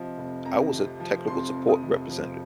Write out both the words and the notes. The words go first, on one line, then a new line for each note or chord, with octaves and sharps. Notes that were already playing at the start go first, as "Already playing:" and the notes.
I was a technical support representative,
Already playing: C3 F3 D#5
F1
F2 A#5
C3
F3
F1 C6
F2
D#6
C3
F3